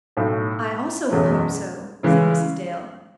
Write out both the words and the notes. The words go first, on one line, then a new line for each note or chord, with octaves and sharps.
"I also will hope so," said Mrs. Dale.
B1 A2 F#3
F#1 E2 B2 F#3 C#4
C#3 E3 G#3